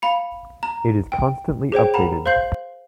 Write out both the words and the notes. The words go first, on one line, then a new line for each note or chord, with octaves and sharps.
It is constantly updated.
F5 B5 C#7
A#5
G5
G#4 C5 C#5 G5
A#4 F#5 A#5 B5
C5 F5 C6 G6 C7 F#7